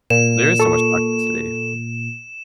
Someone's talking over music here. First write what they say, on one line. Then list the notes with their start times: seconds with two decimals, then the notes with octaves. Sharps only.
There is so much toxicity,
0.10 A#2 E7
0.60 A4 C#6